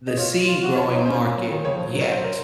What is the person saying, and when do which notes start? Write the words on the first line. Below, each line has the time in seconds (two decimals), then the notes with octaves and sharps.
the seed-growing market, yet.
0.07 D#5
0.18 F4 C#5
0.47 F4
0.62 F#4
0.76 F4 C#5
0.91 D#4 C#5
1.05 C#4 C5
1.21 A#3
1.35 F#3
1.49 D#3
1.65 C#3 C#5
1.75 F3
1.85 F#3
2.01 C#5
2.12 C5
2.24 A#4